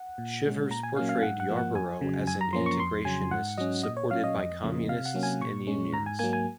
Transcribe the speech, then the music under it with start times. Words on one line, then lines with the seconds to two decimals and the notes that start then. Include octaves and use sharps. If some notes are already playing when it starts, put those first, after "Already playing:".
Shivers portrayed Yarborough as an integrationist supported by communists and unions.
Already playing: F#5
0.18 A#2
0.44 G#3 C#4
0.70 A#2 A#5
0.83 G#5
0.96 F#3 A#3 C#4 F5
1.09 F5
1.22 G#2 F#5
1.40 F#5
1.49 F3 A#3
1.57 F#5
1.75 F2 G#5
2.01 C#3 F#3
2.27 F#2 G#5
2.41 A#5
2.53 F3 A#3 C#4 C6
2.66 C#6
2.79 F2 C6
3.05 C#3 F#3 G#5
3.31 G#2 F#5
3.58 F#3 C#4 D#5
3.83 A#2 D#5
3.97 C#5
4.11 F#3 C#4 F5
4.24 D#5
4.37 F2
4.63 C#3 F3 A#3
4.88 C3 F5
5.05 F#5
5.14 F#3 A#3 C#4
5.23 G#5
5.40 A#2 C#6
5.67 G#3 C#4
5.93 G#2 A#5
6.06 G#5
6.19 F#3 A#3 G#5
6.33 G#5